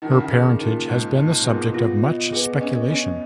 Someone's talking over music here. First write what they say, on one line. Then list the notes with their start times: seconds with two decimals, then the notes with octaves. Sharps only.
Her parentage has been the subject of much speculation.
0.02 D#3 D#4
0.11 C#3
0.20 D#3
0.31 D#3 G#4
0.60 A#2 D#4
0.88 G#2 D#4
1.17 A#2 D#4
1.42 B2
1.46 A#2 G#4
1.74 B2 F4
2.04 D#5
2.32 B3 G#4
2.61 C#4 D#5
2.90 C#4 D#5